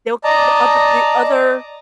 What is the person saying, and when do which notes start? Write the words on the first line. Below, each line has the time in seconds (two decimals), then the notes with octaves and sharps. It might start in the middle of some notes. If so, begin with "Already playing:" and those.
They'll g other The other
0.24 D5 D#5 A5 A#5